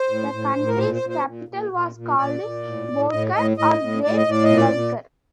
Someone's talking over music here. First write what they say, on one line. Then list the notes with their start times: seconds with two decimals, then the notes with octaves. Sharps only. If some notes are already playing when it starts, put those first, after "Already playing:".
The country's capital was called Bolghar or Great "Bulgar".
Already playing: C5
0.09 A2
0.32 A2
0.55 A2
0.67 A#4
0.78 A#2 C5
0.94 C5
1.02 A#2
1.10 C5
1.25 A#2
1.48 A#2
1.71 A#2
1.95 A#2
2.17 A#2 D5
2.41 A#2
2.64 A2
2.88 A2
3.11 A2 D#5
3.34 A2 D#5
3.57 A2 D#5
3.80 A2
4.03 A2 D5
4.17 D#5
4.26 A2 D5
4.44 D#5
4.50 A#2
4.57 D5
4.73 A#2